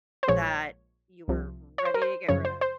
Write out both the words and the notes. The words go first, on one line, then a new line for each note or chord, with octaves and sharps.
that you were ready to get rid of?
C5
A#1 A#2 F3 G#3 C#5
C2 C3 F3
C#5
C5
A#4
C5
F#2 C#3 F3 C#5
C5
C5